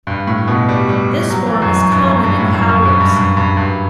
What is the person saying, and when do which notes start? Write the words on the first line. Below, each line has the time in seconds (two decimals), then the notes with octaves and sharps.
This form is common in howlers.
0.07 G2
0.27 A2
0.48 B2
0.69 G3
0.89 G3
1.30 F#3
1.46 E3
1.62 F#2
1.77 F#2
1.92 G2
2.08 F#2
2.23 G2
2.39 A2
2.54 F#2
2.70 F#2
2.85 G2
3.00 G2
3.16 G2
3.37 G2
3.57 G2